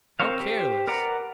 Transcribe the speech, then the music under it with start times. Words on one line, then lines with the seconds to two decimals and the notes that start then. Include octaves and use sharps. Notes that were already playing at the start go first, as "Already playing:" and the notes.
How careless!
0.20 C4 A#4 C5 C#5 F5
0.40 G4 C5
0.87 A#4 B4 D5 F#5 A#5